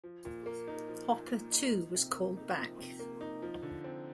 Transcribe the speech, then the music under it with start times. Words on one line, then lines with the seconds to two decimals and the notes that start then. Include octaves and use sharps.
Hopper, too, was called back.
0.04 F3
0.25 A#2
0.46 A#3
0.67 D#4
0.88 F3
1.09 A#2
1.31 A#3
1.51 D#4
1.72 F3
1.95 C3
2.15 A#3
2.37 D#4
2.58 F3
2.79 C3
2.99 A#3
3.21 D#4
3.42 F3
3.63 D3
3.84 C4